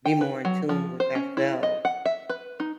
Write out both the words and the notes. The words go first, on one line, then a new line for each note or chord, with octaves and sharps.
be more in tune with ourself,
G5
B4
F#3
F3
C5
C#4
E4
D#5
F#5
E5
B4
D#4